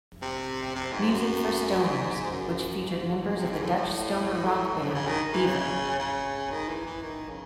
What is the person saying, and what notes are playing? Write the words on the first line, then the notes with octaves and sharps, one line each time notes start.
Music for Stoners which featured members of the Dutch stoner rock band Beaver.
C3
C3
G#2
F#2
G#2
F#2
G#2
C3
G#2
A2
A2
C#3
D#3
E3
C#3
C#3
D#3
E3
E3
D#3
C#3